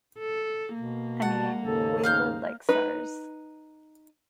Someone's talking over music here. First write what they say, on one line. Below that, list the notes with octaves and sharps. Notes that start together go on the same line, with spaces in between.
I mean, we live like czars.
A4
B2 A#3
F#4 F#5 A5
D#2 G#2 C#3 A4
D#4 F5 F6 G6
D#4 B4